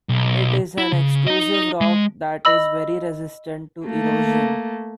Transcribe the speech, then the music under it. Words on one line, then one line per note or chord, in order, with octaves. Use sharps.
It is an extrusive rock that is very resistant to erosion.
B1
E4
C#3
D#4 D#5
G#3
D#5 B5 E6
A3 A#3